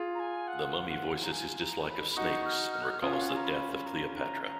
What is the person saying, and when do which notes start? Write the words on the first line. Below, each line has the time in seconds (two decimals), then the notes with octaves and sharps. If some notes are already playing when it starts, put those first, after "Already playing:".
The mummy voices his dislike of snakes and recalls the death of Cleopatra.
Already playing: F4 G#4
0.15 A#5
0.20 G#5
0.48 F#5
0.90 F#5
1.22 A#5
1.32 G#5
1.61 A#5
1.89 B5
2.11 B5
2.16 D#4 F#4 C#6
2.46 F6
2.73 F6
2.82 F#6
2.90 F6
3.01 C#4 F4 D#6
3.14 F5
3.21 F#5
3.28 G#5
3.36 A#5
3.44 B5
3.75 B5
3.86 A#5
4.16 A#5
4.44 A#5